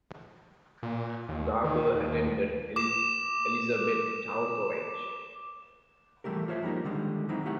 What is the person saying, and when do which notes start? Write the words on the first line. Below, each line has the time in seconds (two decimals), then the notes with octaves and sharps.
Garber attended Elizabethtown College.
0.83 A#2
1.29 D#2
1.64 D#3
1.94 D#2
2.76 D6 E7
6.24 E3 G3 A3 G4 A#4
6.48 F4 C5 C#5 E5
6.62 F3 G3 A#3 D#4 A#4
6.84 D3 D#3 G3 G#3
7.28 D#3 F#3 G#3 C4 D#4 E4
7.46 A3 D#4 G4 F#5